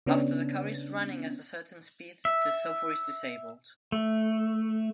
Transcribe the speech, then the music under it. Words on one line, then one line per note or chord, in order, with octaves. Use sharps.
After the car is running at a certain speed, the software is disabled.
C#3 B3 C#4 D4
E5
A3